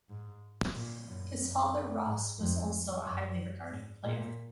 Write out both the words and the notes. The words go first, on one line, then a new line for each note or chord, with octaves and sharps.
His father Ross was also a highly regarded player.
G#2
A#2
F#2
F#2
G#2
F2
F#2
G#2
A#2